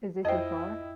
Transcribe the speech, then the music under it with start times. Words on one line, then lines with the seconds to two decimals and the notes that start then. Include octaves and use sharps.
Is this your car?
0.25 F2 E4 C5 D#5 G5